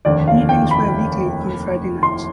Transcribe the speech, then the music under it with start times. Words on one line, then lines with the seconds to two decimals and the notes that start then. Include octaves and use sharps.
Meetings were weekly on Friday nights.
0.05 F1 D#2 D3 D5
0.28 F5
0.49 G5
0.71 B5
2.03 C6